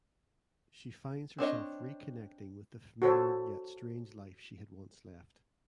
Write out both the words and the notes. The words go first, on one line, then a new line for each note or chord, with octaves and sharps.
She finds herself reconnecting with the familiar yet strange life she had once left.
C4 D4 C#5 D#5
F#4 A4 C5 C#5